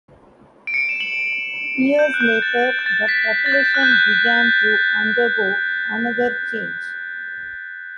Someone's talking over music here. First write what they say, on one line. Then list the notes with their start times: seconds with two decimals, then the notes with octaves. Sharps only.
Years later the population began to undergo another change.
0.67 D7
0.74 C#7
0.78 D7
0.89 E7
1.00 F#7
1.99 G6
2.14 F#6
2.21 G6
2.42 A6
2.79 G6
2.86 A6
3.08 B6
3.46 A6
3.52 G6
3.74 F#6
3.83 G6
3.92 F#6